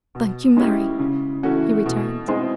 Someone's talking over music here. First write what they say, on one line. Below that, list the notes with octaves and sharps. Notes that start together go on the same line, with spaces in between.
"Thank you, Mary," he returned.
B2
G#3 C#4 E4 G4
C#3
E3 A3 C#4 F#4
B2
G#3 C4 E4 G#4